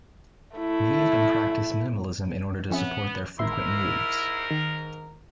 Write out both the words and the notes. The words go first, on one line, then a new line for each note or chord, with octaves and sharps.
Many of them practice minimalism in order to support their frequent moves.
A3 E4
F2 B3 C#4 E5
G#1 G#2 E4 A#4 E5 C6
D#3